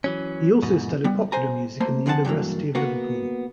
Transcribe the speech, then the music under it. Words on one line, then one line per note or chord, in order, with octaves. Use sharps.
He also studied popular music in the University of Liverpool.
E3 F#3 C#4
E2 G#2 B2
G3 B3
C5 G#5 A#5
A3 A#3 C5
F2 C4 G#4 F#5 A5
G2 E3 F#3 A#3
A#3 B3 F#4